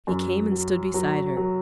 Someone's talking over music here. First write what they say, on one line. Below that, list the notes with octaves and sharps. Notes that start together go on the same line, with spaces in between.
He came and stood beside her.
F#2
F#3
F#3
F#3